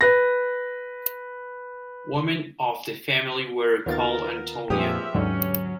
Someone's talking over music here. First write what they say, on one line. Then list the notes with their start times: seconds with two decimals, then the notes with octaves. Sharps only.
Women of the family were called "Antonia".
0.01 B4 A#6
3.86 D#2 D#3 B3 F4 A#4 A6
4.70 F2 A#2 F3 G4 G#4 B4 E5 D#6
5.15 D#2 G#2 D3 F#3 C#4